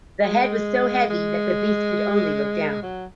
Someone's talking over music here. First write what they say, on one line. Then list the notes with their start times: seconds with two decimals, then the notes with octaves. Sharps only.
The head was so heavy that the beast could only look down.
0.24 G#3
1.10 G#3
2.83 F#3